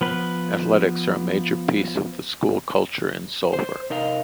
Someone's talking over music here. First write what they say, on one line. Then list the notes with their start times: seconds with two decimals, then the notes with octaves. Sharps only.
Athletics are a major piece of the school culture in Sulphur.
0.01 F3 B3 B4
3.53 C5
3.90 C3 D#4 A#4 D#5 F5